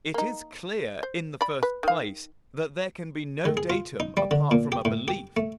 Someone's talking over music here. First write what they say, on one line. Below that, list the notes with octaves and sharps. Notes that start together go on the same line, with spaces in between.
It is clear, in the first place, that there can be no datum apart from a belief.
A#3 D#4
C5
D5 B5
B4
D#3 F5
D#3
G#4
F4
D#4
G3
D3
A#2
G4
A2
G4
A3